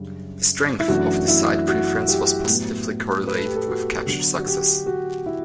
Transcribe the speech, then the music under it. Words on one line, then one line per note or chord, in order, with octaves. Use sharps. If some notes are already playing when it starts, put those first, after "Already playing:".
The strength of this side preference was positively correlated with capture success.
Already playing: F#2 C#3 G3 D4
E4
F#2 E3 A3 D4 F#4
E4
F#4
G4
A2 F#3 B3
B4
A4
G4
A4
F#4
D3 F#3 B3 D4 F#4
F#4
G4
F#4
E4